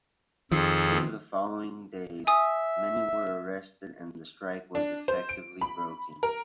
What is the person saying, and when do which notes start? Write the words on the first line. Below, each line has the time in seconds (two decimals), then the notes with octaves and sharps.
Over the following days, many were arrested and the strike was effectively broken.
0.52 F2 D#3 F3 G#4 A4
2.27 E5 G#5 D#6
4.75 D4
5.08 C5
5.29 D7
5.61 B5
6.23 A#4